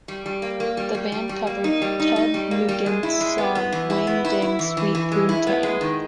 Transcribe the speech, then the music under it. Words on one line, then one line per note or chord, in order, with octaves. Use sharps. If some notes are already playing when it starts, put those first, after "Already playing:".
The band covered Ted Nugent's song "Wang Dang Sweet Poontang".
G3
G3
A#3
A#3
G3
G3
G3
G3
A#3
D#4
G3
D#4
D#4
G3
A#3
G3
G#3
E4
G#3
B3
B3
E3
E4
B3
E4
E4
E3
E3
E3
G#3
E4
B3
G#3
D#3